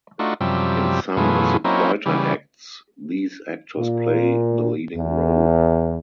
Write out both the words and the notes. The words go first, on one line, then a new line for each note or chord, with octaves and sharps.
In some of the quieter acts these actors play the leading role.
A3 D4 D#4 F4 F#4
F#2 C3 F3 G3 E5
F#2 B2 E3 A3 F4 G#4
F#3 A#3 C4 C#4 D#4 E4
C#3 E3 G3
A#2
E2